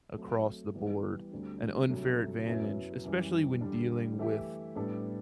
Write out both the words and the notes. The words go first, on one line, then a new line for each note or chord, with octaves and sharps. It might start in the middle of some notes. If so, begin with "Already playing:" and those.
across the board an unfair advantage, especially when dealing with
F#3 A3 C4
E3 G3 B3
D2 D3 G3 C4
D2 C3 F#3 A3
F#2 F#3 B3 E4
F#2 E3 G3
D3 G3 D4
E3 A3 E4 G4
A2 G3 B3 D4 A4